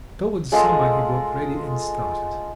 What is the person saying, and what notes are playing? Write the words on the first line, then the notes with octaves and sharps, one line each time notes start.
Towards summer he got ready and started.
G#3 F4 A4 D#5